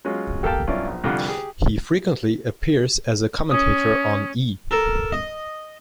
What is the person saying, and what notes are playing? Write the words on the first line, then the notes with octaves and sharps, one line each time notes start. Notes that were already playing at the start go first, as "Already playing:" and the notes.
He frequently appears as a commentator on E!
F#3 G#3 C#4 F4
G4 A4 A#4 F5 G5 A5
B1 G2 C#4 E4 F4 D5
A#1 F3
C2 F2 D3 F4 G4 F#5
G4 G#4
C#4 D#6
A4 A#4
D#5